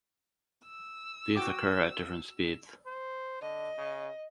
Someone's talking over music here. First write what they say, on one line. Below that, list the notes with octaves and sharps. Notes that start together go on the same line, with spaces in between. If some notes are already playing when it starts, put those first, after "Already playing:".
These occur at different speeds.
E6
F#4 G5 D6
C5
D3 D#5
C#3